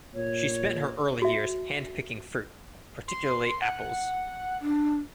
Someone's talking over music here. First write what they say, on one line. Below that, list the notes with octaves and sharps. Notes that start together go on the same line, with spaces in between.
She spent her early years handpicking fruit, particularly apples.
A#2 C#5
F#4 E5
C6
F#5
D4